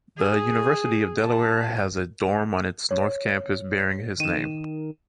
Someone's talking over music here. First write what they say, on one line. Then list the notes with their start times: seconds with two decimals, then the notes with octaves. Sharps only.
The University of Delaware has a dorm on its North Campus bearing his name.
0.17 G#4
1.23 A5
2.91 C#5
4.20 D#3 D#7 E7